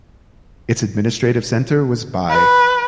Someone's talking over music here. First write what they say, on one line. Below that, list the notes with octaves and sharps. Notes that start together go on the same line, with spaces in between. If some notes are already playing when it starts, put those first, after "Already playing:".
Its administrative centre was Buy.
B4